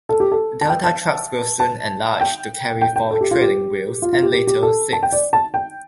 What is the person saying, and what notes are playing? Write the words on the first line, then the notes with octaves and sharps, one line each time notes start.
Delta trucks were soon enlarged to carry four trailing wheels, and later six.
A4
G4
A4
A5
G5
A5
A5
G5
G5
G5
A4
G4
F4
G4
F4
F4
G4
G4
G4
A4
A5
G5
D5
A5
G5